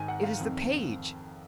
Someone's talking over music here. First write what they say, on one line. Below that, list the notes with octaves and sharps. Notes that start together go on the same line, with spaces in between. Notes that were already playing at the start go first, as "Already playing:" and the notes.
It is the page!
Already playing: G#2 D#3 G#5
F#5
F5
F2 D#3